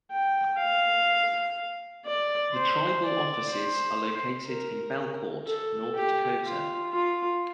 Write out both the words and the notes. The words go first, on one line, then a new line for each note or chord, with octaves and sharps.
The tribal offices are located in Belcourt, North Dakota.
G5
F5
D5
C5
D5
C5
A#4
A4
G4
F4
F4